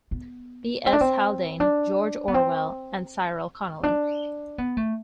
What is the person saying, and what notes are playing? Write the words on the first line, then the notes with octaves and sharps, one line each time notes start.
B. S. Haldane, George Orwell and Cyril Connolly.
B3
C4
D4
C4
D4
B3
C4
D4
B3
A3